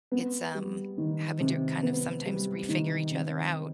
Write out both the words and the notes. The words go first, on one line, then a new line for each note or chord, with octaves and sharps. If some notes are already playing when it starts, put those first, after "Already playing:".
it's, um, having to kind of sometimes refigure each other out
B3
G3
D#3
C3
B3
G3
D#3
C3